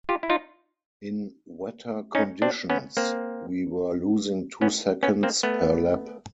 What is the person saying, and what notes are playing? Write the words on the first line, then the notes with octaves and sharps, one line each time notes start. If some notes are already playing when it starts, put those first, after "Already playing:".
In wetter conditions, we were losing two seconds per lap.
F4 G4
E4
D#4 F4
C#4 D#4
C4 D4
B3 C#4
A#3 C4
B3 C#4
B3 C#4
A#3 C4
A3 B3